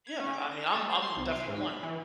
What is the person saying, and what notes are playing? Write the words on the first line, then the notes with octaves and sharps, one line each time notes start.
yeah, I mean, I'm I'm definitely one.
G#6
C#4
D6
A#6
A4
C5
C6
C2
F5
G#2
B5
E3